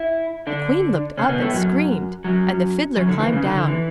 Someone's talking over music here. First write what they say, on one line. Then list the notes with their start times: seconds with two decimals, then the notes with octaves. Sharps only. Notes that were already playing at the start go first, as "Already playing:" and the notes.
The queen looked up and screamed, and the Fiddler climbed down.
Already playing: E4
0.47 D3 D4
1.18 C#3 C#4
1.29 B2 B3
1.41 A2 A3
1.53 F#2 F#3
2.24 F#2 F#3
2.96 F#2 F#3
3.09 D3
3.20 E2 E3
3.33 C#3
3.44 D3
3.56 D3
3.68 E3